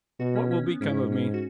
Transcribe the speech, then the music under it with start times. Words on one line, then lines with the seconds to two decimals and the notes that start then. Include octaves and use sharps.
What will become of me?
0.20 B2 F#4
0.35 C#4
0.51 C#4
0.66 B3
0.81 G#2 C#4
0.89 E4
0.97 C#4
1.12 C#4
1.34 F#4